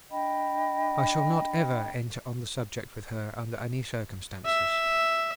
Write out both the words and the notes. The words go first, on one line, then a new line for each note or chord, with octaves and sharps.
I shall not ever enter on the subject with her under any circumstances.
D4 D#5 G5 B5
E5